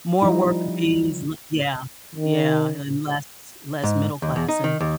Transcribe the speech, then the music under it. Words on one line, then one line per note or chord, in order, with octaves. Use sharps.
More worker bees, le yeah, yeah, and less less middle class, and
F3 G3 D#4 E4
D#3
G#2
D#2
E2
D#4
D#3
D#2